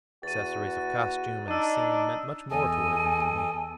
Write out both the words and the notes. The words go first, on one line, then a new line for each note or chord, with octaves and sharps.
Accessories of costume and scene meant much more to her than to me.
E2 F#4 A6 D#7
D4 D#4 E6 D#7
E2 A4 D#5 G#5